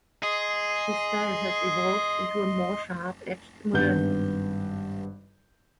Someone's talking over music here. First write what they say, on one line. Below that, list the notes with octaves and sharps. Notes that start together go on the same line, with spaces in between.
His style has evolved into a more sharp-edged modernity.
G#4 D#5 C6
G#1 G2 B3 G6